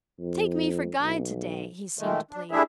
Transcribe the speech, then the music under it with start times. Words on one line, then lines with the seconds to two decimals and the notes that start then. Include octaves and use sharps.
"Take me for guide to-day," he seemed to plead.
0.20 F2
1.01 B1
1.99 A#2 D#3 G#3 A3
2.31 D4
2.51 G3 A3 D4 E4 G#4 E5